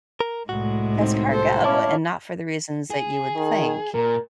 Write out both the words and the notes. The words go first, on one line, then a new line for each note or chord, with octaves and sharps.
escargot, and not for the reasons that you would think.
A#4
C2 A2 G#3 F#4
C4 D#4
A4 C5
C#4 E4 C#5 F5 A5 D6
G#4
D#3
A#2 A#4